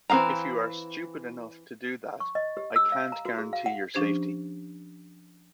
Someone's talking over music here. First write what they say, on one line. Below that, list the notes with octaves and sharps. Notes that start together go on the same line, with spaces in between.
If you are stupid enough to do that, I can't guarantee your safety.
E3 C4 G#4 F5 A#5
C#6
D#5
G4
E6
F5
A#5
F#4
G#4
F5
F#5
F3 C#4 D4 G4 C5 G#6